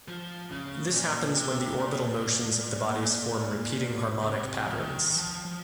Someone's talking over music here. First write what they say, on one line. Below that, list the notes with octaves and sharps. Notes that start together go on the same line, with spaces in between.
This happens when the orbital motions of the bodies form repeating harmonic patterns.
F3
C#3
A#2
C3
A#2
C#3
C3
F3
D#3
D#3
F3
F3